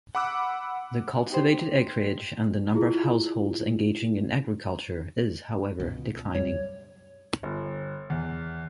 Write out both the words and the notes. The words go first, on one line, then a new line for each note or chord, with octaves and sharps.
The cultivated acreage and the number of households engaging in agriculture is however declining.
F#5 B5 D6 E6 F#6
D#4 G4 C5
E4 F4 G#4
C#2 B2
F#2 G3 C#5
G1
E2